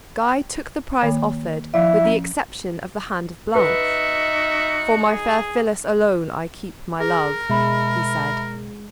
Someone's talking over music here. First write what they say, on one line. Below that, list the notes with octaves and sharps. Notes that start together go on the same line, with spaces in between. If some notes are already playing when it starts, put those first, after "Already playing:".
Guy took the prize offered with the exception of the hand of Blanche. "For my fair Phyllis alone I keep my love," he said.
G5
D#3 A#3 B5
F3 E4 F5
C#4
D#4 F#4 B4 E5
G#4
G#4 A#4
B2 G#3 E5 B5